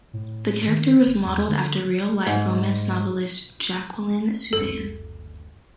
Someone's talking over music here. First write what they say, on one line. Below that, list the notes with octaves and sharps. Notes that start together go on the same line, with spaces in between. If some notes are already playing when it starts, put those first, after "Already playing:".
The character was modeled after real-life romance novelist Jacqueline Susann.
A2
D#3
G1
E2
D3
G#2
F#1 D2 A4